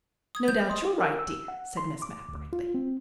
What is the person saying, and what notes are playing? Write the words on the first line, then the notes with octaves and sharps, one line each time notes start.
"No doubt you're right, dear," said Miss Mapp brightly.
D#6 G#6
G#3 A3 C5 G6
D#5 C6 D#6
A#4
E6
F#5
C6
D6
D2
F4
C4